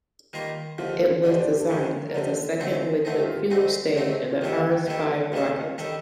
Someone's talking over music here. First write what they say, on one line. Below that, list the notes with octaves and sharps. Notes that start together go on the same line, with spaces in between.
It was designed as the second liquid-fueled stage of the Ares Five rocket.
D#3 G3 A#3 F4 A#4
D#2 D3 F3 F4
D#2 D3 F3 D5
C5
D5
G4
A4
D#2 D3 F3 A#4
A#4
D#2 D3 F3 A4
D2 D3 A3 C4 D#4
D2 D3 A3 C4 D#4 A4
G4
F4
G4
D2 D3 A3 C4 D#4
D2 D3 A3 C4 D#4 G4
F4
D#2 D#3 G3 D4 G4 A4
F5
G5
D#2 D#3 G3 D4 A4 G5
D#2 D#3 G3 D4 A4 F5
D#5
F5
D#3 G3 D4 A4